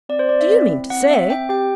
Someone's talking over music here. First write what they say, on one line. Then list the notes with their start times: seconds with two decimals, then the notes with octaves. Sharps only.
Do you mean to say--?'
0.09 C4 D5
0.19 C5
0.29 C4 D5
0.40 E5
0.49 C4
0.69 E4
0.90 C4 F#5
1.10 C4 E5
1.29 C4 G5
1.49 G4 G5